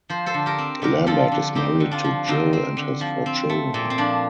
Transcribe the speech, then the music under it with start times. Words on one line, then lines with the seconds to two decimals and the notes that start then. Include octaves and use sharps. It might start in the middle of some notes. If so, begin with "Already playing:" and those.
Lambert is married to Jill and has four children.
0.09 F3 C5
0.26 A4 C5
0.34 D3
0.46 G4 A#4
0.58 C4
0.82 D3 G4 A#4
1.06 F3 F4 A4
1.32 D3
1.55 C4 D#4 G4
1.80 D3
1.91 D4 F4
2.04 F3
2.28 D3 C4 D#4
2.53 C4
2.77 D3
3.01 F3
3.26 C4
3.49 A3
3.74 A#2 C4
3.90 C4
3.98 F3 D4